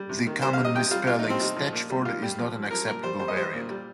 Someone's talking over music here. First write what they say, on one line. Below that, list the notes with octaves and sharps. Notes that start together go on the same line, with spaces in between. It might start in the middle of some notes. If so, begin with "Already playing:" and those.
The common misspelling Stetchford is not an acceptable variant.
Already playing: G3
C3
D#3
G3 C5
F5
C3
D#5
C3 G5
G3 F4
C3 F4
D#4
F3
C4
C3 D#4
F3
A#2
G3
A#2 F4
G3 G4
F3
F3
F3 A#4
A#2 A#4
G3 C5
G3 C5
D#5
G3 C5
A#2
G3